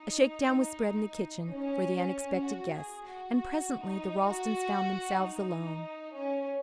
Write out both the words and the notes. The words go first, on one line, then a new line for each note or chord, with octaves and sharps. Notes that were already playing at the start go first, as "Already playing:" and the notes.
A shakedown was spread in the kitchen for the unexpected guests, and presently the Ralstons found themselves alone.
Already playing: D#4
C#4
F#4
G#4
F#4
F#4
D#4
F#4
D#4
C#4